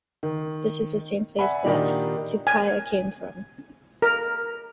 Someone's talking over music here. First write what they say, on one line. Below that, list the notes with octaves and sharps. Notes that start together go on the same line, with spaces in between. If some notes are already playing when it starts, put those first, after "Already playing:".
This is the same place that Tupaia came from.
D#3
D5 E5 F#5 G#5 B5
A#2 D#3 A#3 D4 D#4 G4
G#5
A#4